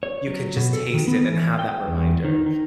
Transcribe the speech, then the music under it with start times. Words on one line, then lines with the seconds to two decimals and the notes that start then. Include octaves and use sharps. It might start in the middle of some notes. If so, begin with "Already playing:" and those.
you could just taste it and have that reminder.
0.03 C#5
0.27 F#3
0.57 B2
0.73 A4
0.94 D#3
1.08 B3
1.24 E3
1.59 G5
1.88 E2
2.25 D#3
2.46 D#3